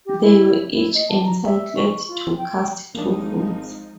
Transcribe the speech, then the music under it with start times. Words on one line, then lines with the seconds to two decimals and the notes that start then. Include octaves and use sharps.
They were each entitled to cast two votes.
0.06 G4
0.21 E4
0.71 E4
0.94 D#5
1.09 A5
1.25 A#5
1.44 E5
1.77 C#6
2.08 F4
2.37 G5
2.95 G#1 F3 G#3 A#3 D4 D#4